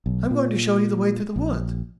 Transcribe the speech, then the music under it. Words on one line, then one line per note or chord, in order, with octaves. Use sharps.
I'm going to show you the way through the woods.
B1
A#2
A#1